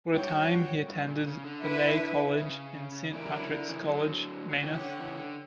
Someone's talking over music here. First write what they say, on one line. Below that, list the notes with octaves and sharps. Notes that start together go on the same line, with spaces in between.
For a time he attended the lay college in Saint Patrick's College, Maynooth.
G2 F#4 C#5 G5
G2
A#2
C#3
D3
E4 B4 E5
C#3
C#3 E3 E4 A#4 D5
G3
D3 F#3
C#3
D3
C#3 E3
D3 F#3
D3
C#3 E3 G4 C#5 F#5
D3
C#3 E3
D3